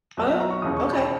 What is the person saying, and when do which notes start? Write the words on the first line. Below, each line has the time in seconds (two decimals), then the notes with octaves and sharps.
Oh, okay.
0.17 B1 B2 F#3 D#5
0.29 E5
0.40 A#5
0.50 C#6
0.62 E1 D#2 C#3 E3 D#6
0.77 C#6
0.92 B5